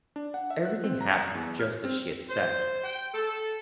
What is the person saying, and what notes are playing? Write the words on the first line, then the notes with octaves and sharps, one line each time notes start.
Everything happened just as she had said.
D4
F#5
E5
F#6
C4
A#5
E2
F6
C4
C5
G5
A4